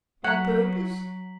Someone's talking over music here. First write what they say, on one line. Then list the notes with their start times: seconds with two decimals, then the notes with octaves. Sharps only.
On purpose.
0.24 F#3 F#5 A#5 B6 F#7